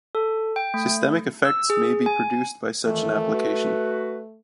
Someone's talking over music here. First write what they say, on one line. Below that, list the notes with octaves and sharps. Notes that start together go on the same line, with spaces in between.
Systemic effects may be produced by such an application.
A4
G5
A3
E6
G#4
G#5
F2 D#3 E3 A3
F#4 B4